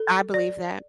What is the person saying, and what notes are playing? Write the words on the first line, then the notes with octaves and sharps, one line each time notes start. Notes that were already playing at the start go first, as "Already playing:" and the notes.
I believe that.
Already playing: A4
D5